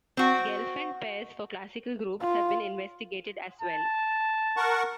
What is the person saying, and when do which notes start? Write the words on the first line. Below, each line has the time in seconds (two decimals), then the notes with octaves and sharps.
Gelfand pairs for classical groups have been investigated as well.
0.17 C4 F#4
2.22 F4
3.62 A5
4.57 A#4 F#5 C#6